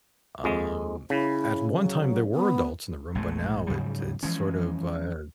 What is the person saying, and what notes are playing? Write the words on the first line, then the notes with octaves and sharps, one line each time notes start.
Um, at one time there were adults in the room, but now it it's sort of, uh
F2 G#3
C#3 E4
F#3
B3
A#1 G#3 A3
G#2 C#3 F#3 G3
E3 F3 G#3 C#4